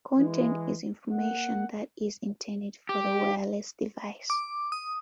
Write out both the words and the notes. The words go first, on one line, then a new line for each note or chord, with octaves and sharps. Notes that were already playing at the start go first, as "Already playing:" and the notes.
Content is information that is intended for the wireless device.
E3 G#3
A#3 F#5
G4
D6
D#6